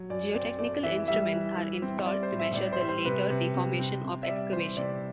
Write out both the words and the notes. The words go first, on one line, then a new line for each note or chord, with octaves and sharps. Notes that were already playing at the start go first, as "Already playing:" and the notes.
Geotechnical instruments are installed to measure the later deformation of excavation.
Already playing: F#3
F#2 D5
C4 D5
A3 D5
E3 E5
G3 E5
E3
E3
C4
G3 D5
C5
A2
E5
A2 D5
C5
G3
C5
C3 B4
C3
C3
C4
C3
E5
G3 D5
E3 C5
C3 D5